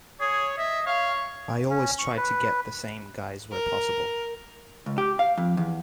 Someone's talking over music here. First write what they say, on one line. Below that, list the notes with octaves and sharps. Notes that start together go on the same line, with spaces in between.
I always tried to get the same guys where possible.
G#4 C#5
D#5 E5
C#5 F5
C#4
C#6
B4
A#4
C#2
G4
F5
F2
E2